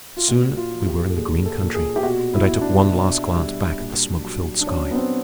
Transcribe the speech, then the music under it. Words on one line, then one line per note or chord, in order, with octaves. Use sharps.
Soon we were in the green country, and I took one last glance back at the smoke-filled sky.
F4
A#2 F#4
F4
F3
G4
A4
A#2 G#4
A4
A#2
G#4
G4
B2 F#4
E4
B2
D4
B2
G3
A#2
F#3
D4
F#3 C#4
B3
C4